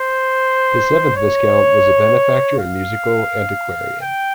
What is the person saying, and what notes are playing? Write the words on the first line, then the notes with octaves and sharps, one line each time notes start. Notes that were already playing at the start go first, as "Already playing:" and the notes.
The seventh Viscount was a benefactor and musical antiquarian.
Already playing: C5
C#5
F5
G5